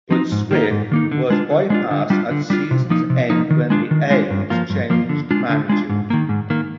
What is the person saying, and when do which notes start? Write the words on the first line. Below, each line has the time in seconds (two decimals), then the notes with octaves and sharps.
But Swift was bypassed at season's end when the A's changed managers.
0.11 F3 C4 D#4
0.32 G#2
0.51 D#3 A#3 D#4
0.71 G#2
0.92 D#3 A#3 D#4
1.12 D3
1.30 G#3 D4 F4
1.51 D3
1.70 G#3 D4 F4
1.91 D3
2.10 G3 D4 F4
2.31 D3
2.50 G3 D4 F4
2.71 C3
2.90 F3 A#3 D#4
3.10 C3
3.30 F3 A#3 D#4
3.50 D#3
3.70 G#3 D4 F4
3.91 D#3
4.10 G#3 D4 F4
4.31 G2
4.50 F3 A#3 F4
4.70 G2
4.90 F3 A#3 F4
5.09 D3
5.31 G#3 D4 F4
5.49 D3
5.69 G#3 D4 F4
5.90 G#2
6.10 D#3 A#3
6.29 G#2
6.50 D#3 A#3